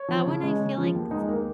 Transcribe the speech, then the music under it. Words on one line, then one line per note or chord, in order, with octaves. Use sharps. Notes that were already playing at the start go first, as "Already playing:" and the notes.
that one I feel like,
Already playing: C#5
F3
C#3
G#3
C#3
F3
D#2
G#3 D#4
D#2 A#3